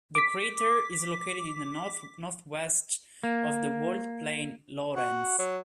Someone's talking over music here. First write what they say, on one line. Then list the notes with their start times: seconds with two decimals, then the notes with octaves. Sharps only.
This crater is located to the north-northwest of the walled plain Lorentz.
0.15 D6 B6
3.23 A#3
4.96 F#4
5.39 F#3